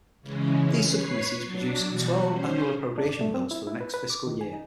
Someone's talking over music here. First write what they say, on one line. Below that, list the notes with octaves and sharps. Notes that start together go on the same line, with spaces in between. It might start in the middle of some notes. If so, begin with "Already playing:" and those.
These subcommittees produce twelve annual appropriation bills for the next fiscal year.
C#3 E3 G#3 C#4
B4 C#5 C7
F#3 D4
B2 E3 G3 F#4
C#4 C5
D4
D5
A3
C4
E4
E4
B4
B4
D6
D#3
G#5
D#4